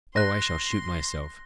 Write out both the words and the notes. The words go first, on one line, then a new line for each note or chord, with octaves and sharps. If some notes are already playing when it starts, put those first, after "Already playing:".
Oh, I shall shoot myself!
C6 F#6 A#6